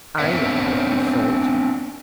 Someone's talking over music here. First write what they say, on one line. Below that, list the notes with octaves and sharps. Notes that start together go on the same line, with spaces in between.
"I know what you thought."
B3 C4 D4 A#4 E5 F#5